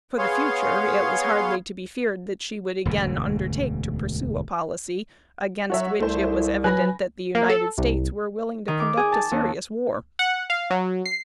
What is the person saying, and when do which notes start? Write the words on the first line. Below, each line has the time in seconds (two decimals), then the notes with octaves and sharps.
For the future it was hardly to be feared that she would again undertake to pursue a policy against which it was evident that the United States were willing to conduct a serious war.
0.18 B3 G#4 C#5 F5 C6
2.85 E1 D2 G#2 C#3
5.70 F#3 F#4 C#5 E5
6.00 C2 A3 E4 C5
6.64 F#3 B4 G#5 B5 F#6 A#6
7.35 A#3
7.50 A4
7.78 C2
8.68 D#3
8.80 D6
8.97 G#4
9.12 A5
9.31 D#2
10.19 F#5
10.50 F5
10.70 F#3
11.06 C7